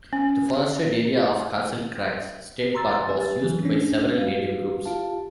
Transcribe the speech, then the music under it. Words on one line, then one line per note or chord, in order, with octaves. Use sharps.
The forested area of Castle Crags State Park was used by several native groups.
C#4
A#5 C6 E6 A6
G4 B4 G#5 A6
E3 F#3
C#4 D4
F#4 B4 F5
F4 G4 F5 A5